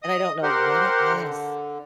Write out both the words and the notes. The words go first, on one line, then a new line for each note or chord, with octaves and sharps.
and I don't know what it was
D#5 D#6
G4 A#4 C5 F#5
D3